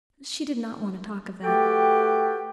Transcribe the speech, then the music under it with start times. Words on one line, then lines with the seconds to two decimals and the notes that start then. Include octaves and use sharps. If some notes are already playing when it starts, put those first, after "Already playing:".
She did not want to talk of that.
1.44 A3 F#4 G4 A4 B4 G5